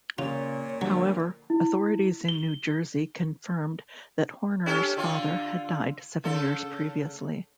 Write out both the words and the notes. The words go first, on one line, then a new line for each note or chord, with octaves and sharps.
However, authorities in New Jersey confirmed that Horner's father had died seven years previously.
A#2 C#3 F4 C#5
D3 F3 F#3
E4
G7
C#4 G4 A4
D3 F4
C#3 A4